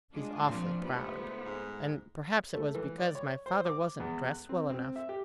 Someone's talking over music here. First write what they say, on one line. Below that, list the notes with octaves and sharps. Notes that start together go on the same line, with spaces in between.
He's awfully proud; and perhaps it was because my father wasn't dressed well enough.
G#3 D4 F4
A#2 F3 C4
C#2 G3 A3 B3 D#4 E4 C5
G#2
A3
E3
D5
C#5
C5
D6
E2
F#6
C4
C4
E5
G4